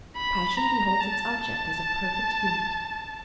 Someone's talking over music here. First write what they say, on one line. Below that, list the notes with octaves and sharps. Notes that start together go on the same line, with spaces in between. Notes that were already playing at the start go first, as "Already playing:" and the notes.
Passion beholds its object as a perfect unit.
B5
A#5
A5
A5